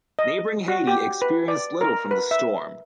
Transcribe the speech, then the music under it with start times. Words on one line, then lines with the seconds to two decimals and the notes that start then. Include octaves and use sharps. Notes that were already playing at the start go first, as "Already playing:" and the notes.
Neighboring Haiti experienced little from the storm.
0.19 D#5
0.68 F#4
0.87 G4
1.22 B4
1.48 D5
1.81 A#4
2.11 B4
2.31 E5